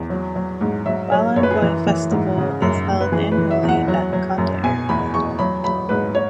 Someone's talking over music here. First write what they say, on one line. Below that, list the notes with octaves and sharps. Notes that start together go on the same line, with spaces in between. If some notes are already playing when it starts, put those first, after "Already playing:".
Balanghoy Festival is held annually at Cotta area.
Already playing: E2
F#3
F#3
G#2
F#3 E5
F#3 C#5
F#2 C#5
B4
G#4
B4
E3
E3
G#2
C#3
F#2
F#2
B4
E3 G#4
B4
E3
E5
E2
F#5
F#3
F#3
F#2
B2 G#5
E2 B5
E2 C#6
F#3 B5
F#3 B5
G#2 B4
C#5